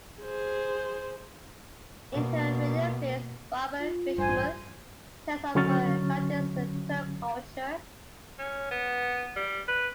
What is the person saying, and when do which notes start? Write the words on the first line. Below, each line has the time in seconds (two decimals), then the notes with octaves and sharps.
In her radio plays, Barbara Frischmuth tells of her encounters with Turk culture.
0.22 G#4 C5
2.12 B2 A#3
3.79 F4
4.18 A1 G2 C5 G#5
5.55 D3 F#3 C#4 C#6 F6 A6
8.39 C#4
8.71 B3
9.36 G3
9.68 B4